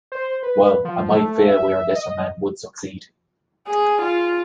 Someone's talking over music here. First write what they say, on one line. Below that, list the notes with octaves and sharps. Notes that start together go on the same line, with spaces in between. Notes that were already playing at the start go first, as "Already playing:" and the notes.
Well, I might fail where a lesser man would succeed.
C5
B4
F3
A3
E5
D#5
G#4
F4